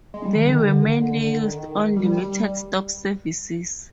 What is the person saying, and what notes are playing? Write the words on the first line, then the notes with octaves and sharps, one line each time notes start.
They were mainly used on limited-stop services.
G#3
G3
D#3
D3
D#3
D3
D#3
G3
G3